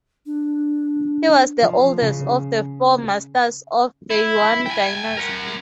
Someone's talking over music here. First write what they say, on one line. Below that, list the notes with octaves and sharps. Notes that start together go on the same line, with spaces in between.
He was the oldest of the Four Masters of the Yuan Dynasty.
D4
F3
C#3
E4
G5 G#5
A#4 F#5